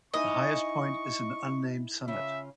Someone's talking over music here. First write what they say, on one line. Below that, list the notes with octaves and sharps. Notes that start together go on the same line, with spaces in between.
The highest point is an unnamed summit.
D#4 E4 D#5 G#5 C#6
C#3 C#4 F4 E5